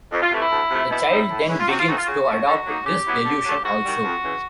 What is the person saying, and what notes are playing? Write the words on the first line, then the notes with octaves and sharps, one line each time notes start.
The child then begins to adopt this delusion also.
F2
F4
C3 E3 A3
E4
D2
C3 F3 A3
B2 E4
G3 C4 D#4
A2
E3 G#3 C#4 E4
F4
C3 F#4
F4
E3 A3 C4 D#4 F#4
F4
C#3 F#4
F3 A3
D3
F#3 A#3 D#4
C#3 G4
F#3 B3 E4
D3
F#3 A3
G#2 F#4
D#3 G3
F2
C#3 E3